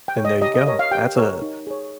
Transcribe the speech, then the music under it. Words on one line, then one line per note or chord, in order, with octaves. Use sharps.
then there you go. That's a
G5
C#5
D#5
G4 D#5
D#5
A#4 C#5 D#5
F5
G4 G5
A#4 C#5
D#4
G#4 C#5